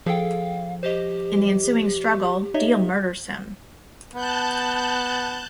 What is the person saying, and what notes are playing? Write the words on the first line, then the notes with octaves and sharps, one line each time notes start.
In the ensuing struggle, Deel murders him.
F3 G#4 A4 F5 G5
G4 C5 D#5
D#4 C#5 D#5 E5
B3 A5 F#6 G6